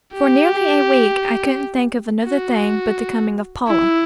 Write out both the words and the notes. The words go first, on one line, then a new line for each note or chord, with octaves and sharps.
For nearly a week I couldn't think of another thing but the coming of Paula.
G4
F#4
E4